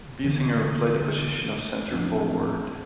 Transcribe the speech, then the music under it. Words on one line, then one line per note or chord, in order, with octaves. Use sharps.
Biesinger played the position of center forward.
D3 E3 A#3 B3
A1 F3 C4 D4